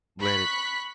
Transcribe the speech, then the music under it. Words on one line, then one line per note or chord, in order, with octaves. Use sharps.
let it
B5 C#6 F#6 B6